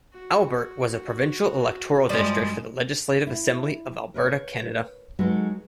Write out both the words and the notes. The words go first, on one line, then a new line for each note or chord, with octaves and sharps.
Albert was a provincial electoral district for the Legislative Assembly of Alberta, Canada.
F#4
G2 F3 G#3 D5
E4
A#4 B4 C#5
F#3 G#3 D#4 F#4 A4 B4